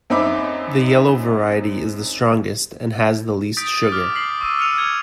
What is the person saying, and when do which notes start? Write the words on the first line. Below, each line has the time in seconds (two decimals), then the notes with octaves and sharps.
The yellow variety is the strongest and has the least sugar.
0.10 F#2 C4 D#4 E5 B5 D6
3.57 D#6 G6 A6 B6 D7
3.92 D6 F6
4.15 B6 C7 F#7
4.41 C#6 E6 D#7
4.58 E6 F6 C#7 D#7 F7
4.77 F6 G#6 C#7